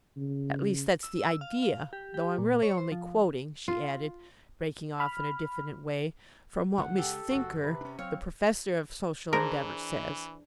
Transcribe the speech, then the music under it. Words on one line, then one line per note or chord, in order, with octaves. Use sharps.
At least that's the idea--though I'm really only quoting," she added, breaking off in a diffident way, "from what Miss Thinker, the professor of Social Endeavour, says.
C#3
E6
E6
F5
F5
G4
G4
A#2
C#5
C5
F3
F4
B5 F6
D3 D#3 A3 F#5
C#3 G#3 G4 A4
F#1 G2 F#4
C3 B4
C#4 D4
F#3 C4 C#5 F5
E3 D4 G#4 A#4 C5